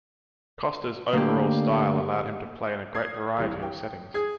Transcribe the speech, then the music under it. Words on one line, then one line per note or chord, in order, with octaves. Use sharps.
Costa's overall style allowed him to play in a great variety of settings.
D3 A3 A#3 G4
D#6 G#6 C7
C2 E3 G3
G5
G#4 G#6